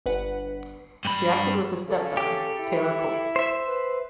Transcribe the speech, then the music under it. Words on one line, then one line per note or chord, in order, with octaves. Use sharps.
He acted with his stepdaughter, Taylor Cole.
G1 B4 F#5
G2 B5
C#3 A4
G4
E4
C5 E5
B4